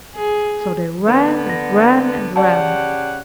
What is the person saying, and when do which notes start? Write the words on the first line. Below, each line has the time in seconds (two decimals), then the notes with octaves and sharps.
So they ran and ran and ran.
0.15 G#4
1.07 D3 B3
1.50 A#6
2.36 C#3 G4 D5 F#5 A5